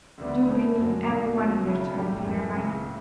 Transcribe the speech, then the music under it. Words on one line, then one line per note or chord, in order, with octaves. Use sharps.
Do bring in every one in their turn, Peter mine.
D2 D3 G3 B3 D4
B2 A3 C#4 E4
F#2 D3 F#3
B1 B2 G3
C#2 B2 F#3 C#4
C#3 F#3 A3 E4
B1 A2 G3 C#4 G4
F#2 E3 A3
C#2 C#3 E3
A2